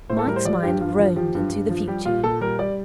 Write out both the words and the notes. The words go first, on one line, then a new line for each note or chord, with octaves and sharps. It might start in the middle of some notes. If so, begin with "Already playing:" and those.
Mike's mind roamed into the future.
A2 C5
A4
G3 A#4
C5
F3 D5
G2 G4
G2 F4
F3
F3 G4
G2
G2
F3
G3 G4
A#2 F4
A#2 A4
G3 A#4
G3 D5